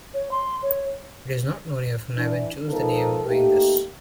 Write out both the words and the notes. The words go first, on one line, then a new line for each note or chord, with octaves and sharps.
It is not known if Niven chose the name knowing this.
C#5
C6
C#5
E3 D4
G#2 F3 B3 D#4 A4 A#4
A3 A#3 D#4 G4